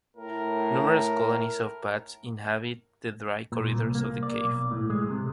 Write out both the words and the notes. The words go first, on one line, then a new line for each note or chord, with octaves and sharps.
Numerous colonies of bats inhabit the dry corridors of the cave.
A2 A#4
A#2
C2
A#3
D5
B1
A2
G#3
C3